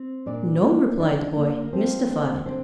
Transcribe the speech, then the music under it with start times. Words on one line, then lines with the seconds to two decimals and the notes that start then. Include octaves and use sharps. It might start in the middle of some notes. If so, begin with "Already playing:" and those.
"No," replied the boy, mystified.
Already playing: C4
0.26 A#2 D4 D5
0.63 A#3 D4
0.99 F3 D4 D5
1.36 A#3 D4
1.63 A#4
1.73 F3 C4 C5
2.09 A#3 D4
2.45 D3 C4 C5